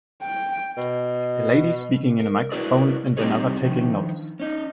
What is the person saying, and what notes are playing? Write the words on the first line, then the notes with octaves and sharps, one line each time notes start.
A lady speaking in a microphone and another taking notes.
G5
B2
A#4
E4 F#4 G#4 A#4 B4 D5
G3 C4 D#4 G4 G#4 C#5
D#3 F3
C#4 D#4